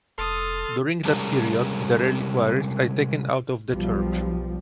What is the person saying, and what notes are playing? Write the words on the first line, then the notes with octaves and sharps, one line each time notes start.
During that period, the reliquaries are taken out of the church.
F1 A4 C6 D#6 F6 A6
C3 G3 G#3 C#4 A4 A#4
B1 F3 G3